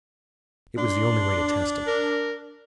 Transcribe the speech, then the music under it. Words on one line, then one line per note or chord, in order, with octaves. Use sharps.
It was the only way to test him.
D4 C6
A#4